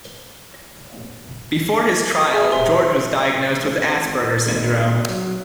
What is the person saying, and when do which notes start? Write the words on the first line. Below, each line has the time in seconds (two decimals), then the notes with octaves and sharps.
Before his trial, George was diagnosed with Asperger syndrome.
2.34 G#4 E5
2.52 C3 E5 C6
3.61 F1
4.03 G#1
4.48 G#1
5.09 F#3